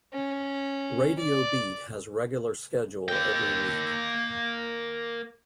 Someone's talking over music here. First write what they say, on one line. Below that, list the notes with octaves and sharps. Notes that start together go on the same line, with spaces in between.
Radio Beat has regular schedule every week.
C#4
D5
A#3 G5